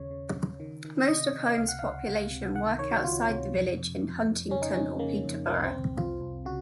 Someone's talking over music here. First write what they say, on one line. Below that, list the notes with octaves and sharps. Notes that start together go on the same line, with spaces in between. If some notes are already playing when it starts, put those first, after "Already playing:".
Most of Holme's population work outside the village in Huntingdon or Peterborough.
Already playing: D#2 C#3 C#5
C#3
C#3
D#3
D#3
C3 D#5
C3
C#2 F5
F#5
C#2 F5
C#2
C3
D#3 F#5
D#3 C#5
F#4
C#2 F4
C3
F2
F2
F2
F2
C#3 C#4
D#4
F2 C#4
C#3 A#3
F2
C2 A#3
C4
C2
C2 F4
C2
C#3 F#4